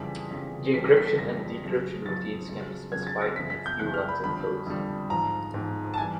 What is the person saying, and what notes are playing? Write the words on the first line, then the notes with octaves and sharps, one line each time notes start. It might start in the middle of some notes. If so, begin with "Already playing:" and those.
The encryption and decryption routines can be specified in a few lines of code.
Already playing: F2 C#3 E3 G3 B6
F2 C#3 E3 G3
F2 C#3 E3 G3 B6
A#6
B6
B6
F2 C#3 E3 G3 A#6
F2 C#3 F#3
F2 C#3 F#3 A6
F2 C#3 F#3
F2 C#3 F#3 G#6
G#6
A6
A#6
F#2 C#3 F3 B6
B6
G6
F#2 C#3 F3 F#6
F6
B5
F2 D3 G3 B5
F2 D3 G3
G#2 F3 A#5
G#2 F3
A5
E3 G3 G#5